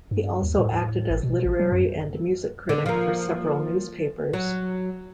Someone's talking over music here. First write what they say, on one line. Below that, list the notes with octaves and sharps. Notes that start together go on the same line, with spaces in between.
He also acted as literary and music critic for several newspapers.
G2
D#2
A2
G#1
B2
A1
F#3
F#2
D3
F3 A#3
F#3